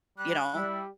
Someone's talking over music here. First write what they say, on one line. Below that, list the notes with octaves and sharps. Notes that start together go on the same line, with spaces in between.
you know?
G3 F#6
G3 E4